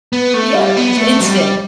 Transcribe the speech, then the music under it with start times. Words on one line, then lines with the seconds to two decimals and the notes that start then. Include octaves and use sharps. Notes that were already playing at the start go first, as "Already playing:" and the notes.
Yeah, and it's instant.
0.13 B3
0.34 A3
0.54 G3
0.77 B3
0.97 A3
1.20 F#3
1.26 G3